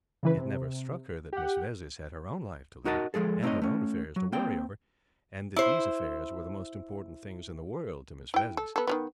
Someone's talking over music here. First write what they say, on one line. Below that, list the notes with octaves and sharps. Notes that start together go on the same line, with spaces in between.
It never struck her that Miss Vezzis had her own life to lead and her own affairs to worry over, and that these affairs were the most important things in the world to Miss Vezzis.
C#3 E3 B4
C3
G4 F#5
D#4 F#4 A#4 D#5 A5
F3 G#3 G#4 A4
A3 C4 D#4 C#5 D#5
A3 C#4
F#3
A#3 C4 G5
E4 C5
E4 G5
A4
B3 A4
D#3 G3 B3